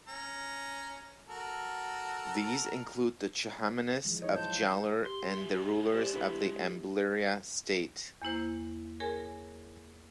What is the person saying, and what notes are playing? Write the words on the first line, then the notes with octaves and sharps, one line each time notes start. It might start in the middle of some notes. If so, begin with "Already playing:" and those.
These include the Chahamanas of Jalor, and the rulers of the Ambliara State.
C#4 A#5
F#4 A4 A#4
E3 F3 G#3
D#4 C#5
F#3 F4 C5 A5 G6
G4 C6
G#3 E5
G4 C5 D5
D4 E4 B4
E2 A#3 E4 C5
G#4 A#4 C#5 G#5